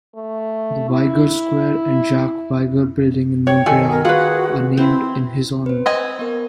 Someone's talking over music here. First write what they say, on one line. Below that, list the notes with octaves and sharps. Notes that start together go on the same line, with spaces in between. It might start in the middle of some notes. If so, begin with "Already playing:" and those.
The Viger Square and Jacques Viger Building in Montreal are named in his honour.
A3
E4
C#5 G5
D#3 A4 G#5
A#4
F4 F#4 G#4 B4 F#5
C4 E4
B4 C5
C4 D#5 G#5
B3 A#4